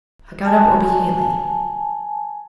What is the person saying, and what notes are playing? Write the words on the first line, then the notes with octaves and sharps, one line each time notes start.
I got up obediently.
G#5 A5